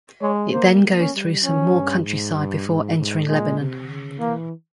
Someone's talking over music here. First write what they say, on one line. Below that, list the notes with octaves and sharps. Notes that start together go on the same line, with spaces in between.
It then goes through some more countryside before entering Lebanon.
G#3 C#5
A#3 C5
A#3
C#4
G3
F3 C#4
G2
G#2
G2
G#2
G#2
A#2 G#3
C3
C#3
E3 A#3